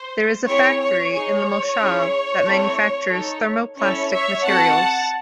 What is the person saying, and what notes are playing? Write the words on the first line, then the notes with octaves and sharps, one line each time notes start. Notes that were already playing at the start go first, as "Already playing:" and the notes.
There is a factory in the moshav that manufactures thermoplastic materials.
Already playing: C5
C4 E4 G#4 C#5
C#5
D#4 G#4 C#5
C#4 E4 G#4
A3 C4 E4 A4
D#4 A4
C#4 E4 A4 C#5
C#5 E5
C4 F#4 A4 F#5 A5